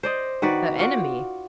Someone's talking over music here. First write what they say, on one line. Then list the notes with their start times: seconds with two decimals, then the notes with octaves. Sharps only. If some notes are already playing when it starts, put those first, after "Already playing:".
"Her enemy?"
0.03 C5 D5 D#5
0.42 D#3 F#4 B4 D5
0.79 F4 F#4 D5